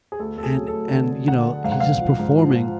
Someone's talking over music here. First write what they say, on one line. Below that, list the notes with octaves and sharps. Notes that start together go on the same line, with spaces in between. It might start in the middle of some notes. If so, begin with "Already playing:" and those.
and and, you know, he's just performing,
G#4
D2 A4
D2 A4
G#4
F#3
A4
D2
D3
D3
D3 F#5
D3
G#2 F5
F#5
G#2 F5
F3
G#2
F3